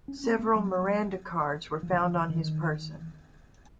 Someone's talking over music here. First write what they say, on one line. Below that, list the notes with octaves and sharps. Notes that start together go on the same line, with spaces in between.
Several Miranda cards were found on his person.
C#4
C4
A#3
F#3
F3
D#3
F3
D#3
D#3